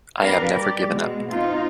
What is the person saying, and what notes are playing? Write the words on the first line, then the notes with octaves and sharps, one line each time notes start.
I have never given up.
B3 D4 G4 A#4 B4 F5
G3 G4 D5
B2 G#3
C4 D#4 F4